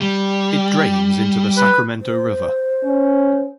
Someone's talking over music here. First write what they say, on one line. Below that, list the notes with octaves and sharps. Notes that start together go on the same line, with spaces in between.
It drains into the Sacramento River.
G3
B4
C5
C#4